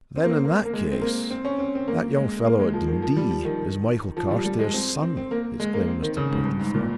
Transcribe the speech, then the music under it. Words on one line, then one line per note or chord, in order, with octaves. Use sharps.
"Then in that case--that young fellow at Dundee is Michael Carstairs' son?" exclaimed Mr. Portlethorpe.
C4
A#3
C4
A#3
A#3
G#3
C4
A#3
C4
C#4
C4
C4
A#3
G#3
A#3
G#3
F3
D#3
F3
G3
F3
D#3
F3
G3
G3
G#3
C4
C4
C4
A#3
G#3
A#3
C4
D#3
C#3
G#2
G2
G#2
A#2